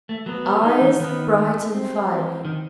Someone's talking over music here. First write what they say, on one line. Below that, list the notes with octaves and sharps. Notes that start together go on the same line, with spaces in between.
EYES--Bright and fiery.
A3
F#3 B3
G3
F#3 D#4
E3
D#3 B3
A3
C4
C4
D#3